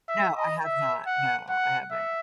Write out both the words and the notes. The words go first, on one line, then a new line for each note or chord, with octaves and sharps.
No, I have not. No, I haven't.
E5
D#5
E5
F#5
F#5
E5